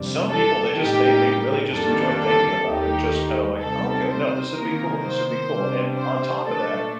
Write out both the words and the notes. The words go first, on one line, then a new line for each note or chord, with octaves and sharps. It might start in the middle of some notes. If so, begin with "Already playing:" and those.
some people they just they they really just enjoy thinking about it and just kind of like, "Okay, no, this would be cool. This would be cool." And on top of that,
Already playing: F2 C3 G3 D4
A4
A2 G3 A#3 D#4 G4
F2 D#3 G3 A#3 D4 A4
A4
D#2 D#3 A3 D#4 G4
C3 G3 C4 D#4 A4
C5
C3 D#3 A#3 D#4 A#4
C5
C3 G3 D4
C5
A#2 A3 D4 A4